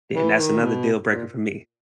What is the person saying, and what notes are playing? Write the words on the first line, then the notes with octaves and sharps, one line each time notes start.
then that's another deal breaker for me.
E3
D#3
B2
A#2